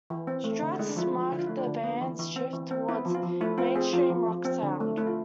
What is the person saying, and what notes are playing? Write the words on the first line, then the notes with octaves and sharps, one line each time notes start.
"Strast" marked the band's shift towards mainstream rock sound.
E3
C4
A3
D3
G#3 E4
D4
F3 E4
F3
D3 E4
F4
A3 E4
D4
D3
B3
E3
E3
C4
E3
C4
B3 E4
F3
F4
F3
A3 E4
C4 F4
C4 G#4
F3 F4
F3
F3
C4
D3
A3
A3 E4
F4